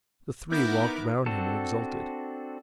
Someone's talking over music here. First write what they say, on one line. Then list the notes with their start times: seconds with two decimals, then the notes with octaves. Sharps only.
The three walked round him and exulted.
0.51 B3 D#4 E4 A#4 D6 G6
1.26 C4 D4 F#4 A4